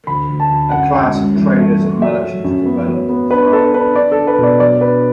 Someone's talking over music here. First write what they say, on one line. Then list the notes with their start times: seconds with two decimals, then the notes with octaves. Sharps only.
A class of traders and merchants developed and thrived.
0.07 D2 B5
0.29 D2
0.40 A5
0.50 D2
0.72 F#2 F#5
0.93 F#2
1.15 F#2
1.37 E3
1.58 A3
1.80 A3
2.02 F#3 E5
2.23 F#3
2.44 F#2
2.66 B3
2.88 F#3
3.09 B3
3.30 D4 B4
3.52 D4 A4
3.73 D4 B4
3.95 D4 D5
4.12 A4
4.17 D4
4.27 B4
4.38 B2 D5
4.60 F#3 D5
4.81 D4 B4